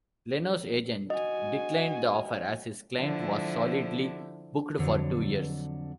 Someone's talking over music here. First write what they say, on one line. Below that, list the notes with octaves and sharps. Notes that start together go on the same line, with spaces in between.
Leno's agent declined the offer, as his client was solidly booked for two years.
F#4 D#5 G#5
D3 F3 E4
F2 D3 F#3